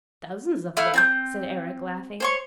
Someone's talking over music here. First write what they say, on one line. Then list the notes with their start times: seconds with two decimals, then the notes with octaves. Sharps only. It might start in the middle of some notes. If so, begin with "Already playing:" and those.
"Thousands of them," said Eric, laughing.
0.77 A3 E4 F5
0.94 C4 A5 G6
2.20 C5 C#5 C#6